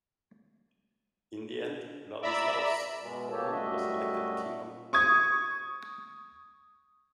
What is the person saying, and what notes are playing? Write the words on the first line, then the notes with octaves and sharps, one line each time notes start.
In the end, Vladislaus of Poland was elected King of Hungary.
D5 E5 A#5 B5 E6
B2 G#3
B2 A#3 G4 A4 C#5 A5
F#2 G3 A3 F#4 D#5 E5
C#6 D#6 G#6